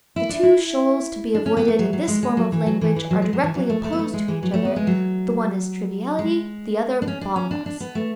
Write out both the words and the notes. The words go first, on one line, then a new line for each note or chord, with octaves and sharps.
The two shoals to be avoided in this form of language are directly opposed to each other; the one is triviality, the other bombast.
E4
D4
E4
D4
C#4
B3
A3
F#3
F#3
G#3
G#3
F#3
E3
F#3
E3
E3
F#3
G#3
F#3
E3
F#3
A3
A3
B3
A3
G#3
E3
F#3
A3
B3
G#3
F#3
G#3
D4
C#4
D4
C#4
D4
D4
B3
A3